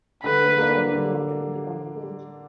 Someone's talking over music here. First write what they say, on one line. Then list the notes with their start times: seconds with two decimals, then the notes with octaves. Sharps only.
After retiring, he opted to become a coach.
0.24 D3 B4
0.58 A#3 D4
0.92 D3